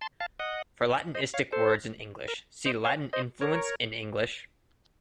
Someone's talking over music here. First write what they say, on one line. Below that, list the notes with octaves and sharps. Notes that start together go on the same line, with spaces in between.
For Latinistic words in English, see Latin influence in English.
A5 C6
F5 A5
D#5 F#5
C5 D#5
C#5 F5
A4 C5
A#4
C5 D#5
C#5 F5
C5 D#5
A#4 C#5